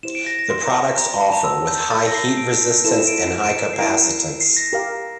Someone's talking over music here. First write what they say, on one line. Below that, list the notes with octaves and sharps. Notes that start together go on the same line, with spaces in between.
The products offer with high heat resistance and high capacitance.
E4 G4 C5 E7
D7
A#6
A#6
C6
A#5
G4 D5 G5 A#5
A5
A#5
E6
G6
A4 E5 A#5 A6
A#6
C7
D7
E4 A4 C5 E5 E7
E7
D7
E7
D7
E7
C7
E4 A#4 E5 A#5 D7
C7
A#6
G4 A#4 F5